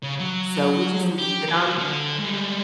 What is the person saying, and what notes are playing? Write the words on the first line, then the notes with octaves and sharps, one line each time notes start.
So, we just leave it on
C#3
F#3
G4
F#3 F4
D3
G3 G#3